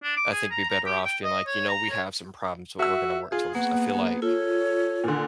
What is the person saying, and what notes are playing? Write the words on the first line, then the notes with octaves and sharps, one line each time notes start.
I think it'd be better off being like, "You know, we have some problems, but we're gonna work towards." I feel like
D4
D6
G#4
A#5
A#5
G4
G5
D#5
C#5
A#5
C#5
F#4 E5 E6
F4 G#4
A#3 B3 F#5
F4 A4 C#5
A#2 D3